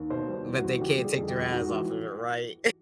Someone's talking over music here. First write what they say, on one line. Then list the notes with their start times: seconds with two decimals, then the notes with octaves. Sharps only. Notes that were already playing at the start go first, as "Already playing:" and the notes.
but they can't take their eyes off of it, right?
Already playing: D#2
0.10 B2 C5
0.28 G3
0.34 C5
0.46 E2
0.57 F#4
0.63 E2
0.81 D3 G4
0.98 G3
1.04 G#4
1.15 F2
1.28 G4
1.33 F2
1.51 G#2 F#4
1.68 E3